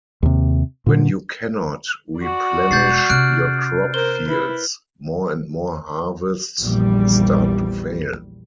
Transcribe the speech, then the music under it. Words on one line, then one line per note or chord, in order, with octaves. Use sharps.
When you cannot replenish your crop fields, more and more harvests start to fail.
D#2 C3
A#2 D3
F#4 D5
E1 G#3 G6 A6 C7
C3 C#4 F6 F#6 D7
A#4 C5 G7
E4 B4
A#1 E2 G3